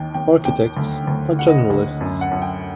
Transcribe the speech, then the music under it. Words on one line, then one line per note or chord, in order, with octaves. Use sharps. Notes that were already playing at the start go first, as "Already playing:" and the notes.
Architects are generalists.
Already playing: D#2 D#3 G5
D#2 G5
D#2 G5
D2
D2
D3 F#5
D#5
F#5
D2
F#2
F#5
F#2
G5